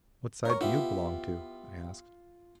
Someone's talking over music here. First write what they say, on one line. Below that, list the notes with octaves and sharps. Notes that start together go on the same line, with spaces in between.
"What side do you belong to?" I asked.
A#4 C#5 C#6
B3 E4 F4 G4